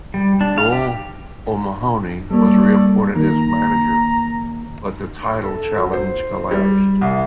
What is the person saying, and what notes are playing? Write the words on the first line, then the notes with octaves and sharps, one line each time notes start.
Noel O'Mahony was re-appointed as manager but the title challenge collapsed.
G3
D4
F5
G4
G3 A#3 A4 C#5 D5
D#3 A#3 A#5
A4
F#3
C5
G3
C2